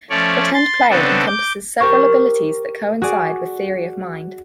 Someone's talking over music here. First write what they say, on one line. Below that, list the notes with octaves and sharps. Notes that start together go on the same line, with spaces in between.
Pretend play encompasses several abilities that coincide with theory of mind.
F3 A3 C#4 C#5 D5
C6 A6
C#3 B3 C4 D4 A4
D6 G6
G4 A#4 C5 C#6
F#4 G#4 D5